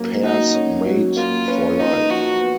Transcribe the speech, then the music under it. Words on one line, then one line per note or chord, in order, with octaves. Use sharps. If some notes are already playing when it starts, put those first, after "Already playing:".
Pairs mate for life.
Already playing: F#3 A#3 C#4
D#4 F#4
C#4
F#3
A#3 F4
C#4 B4
D#4 F4
F3 F#4
B3